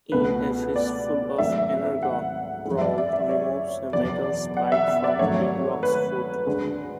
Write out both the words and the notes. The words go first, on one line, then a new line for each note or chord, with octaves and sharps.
In "A Fistful of Energon", Prowl removes a metal spike from Grimlock's foot.
C#2 B2 A3 B4
D5
G#1 G#2 F#3 A3 E5
F#5
F#2 E3 G#3
E5
D5
D5
E5
C#5
F#1 E2 B2 D5
F#5
E5
E5
D5
G#1 G#2 F#3 A3 C#5
B4
D2 D3 G#3